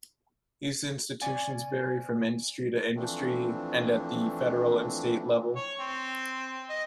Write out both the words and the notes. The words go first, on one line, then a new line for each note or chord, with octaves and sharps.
These institutions vary from industry to industry and at the federal and state level.
C#4 D5 G#5
E3 F3 A3 C4 D4
C#5
C4
D#5